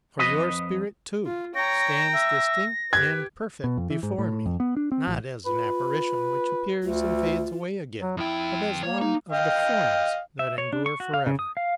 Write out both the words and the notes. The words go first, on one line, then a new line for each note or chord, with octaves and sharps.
For your spirit, too, stands distinct and perfect before me, not as an apparition which appears and fades away again, but as one of the forms that endure forever.
F2 B4 D#5
F4
C#5 G5 A#5 A#6
E5
G4 B4 G#6
B2
F2
E3
G#2
A2
F2
B3
D4
C4
A1
F4 B4
D2 F4
F#3
F2 E4 G5
A#3 C#5
D#4
D#5 F5 G5
E5
C#5
D4
C#6
F#4
F5
C#3
D#6
F5